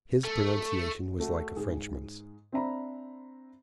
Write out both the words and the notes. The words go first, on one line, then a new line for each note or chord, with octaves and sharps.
His pronunciation was like a Frenchman's.
A3
A3 F#4
G#2 G#4
C4 D4 E5 A#5 B5